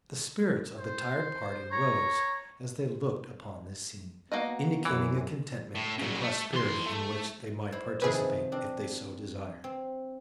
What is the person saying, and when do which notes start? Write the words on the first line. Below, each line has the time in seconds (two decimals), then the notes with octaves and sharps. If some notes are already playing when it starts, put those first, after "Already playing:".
The spirits of the tired party rose as they looked upon this scene, indicating a contentment and prosperity in which they might participate if they so desired.
0.79 C5
1.72 C#5 A#5
4.32 A#3 B3 F#4 D#5
4.85 F#2 A#2 E3
5.75 A2
5.98 C#3 F#3
6.22 A3
6.53 E3 C6
6.86 A3
7.72 E4 C5
8.02 C3 D#3 F3 G#4 B4
8.52 C4 D4
9.64 C4